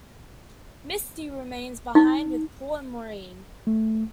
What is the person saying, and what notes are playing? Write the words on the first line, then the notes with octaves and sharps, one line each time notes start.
Misty remains behind with Paul and Maureen.
D#4
A3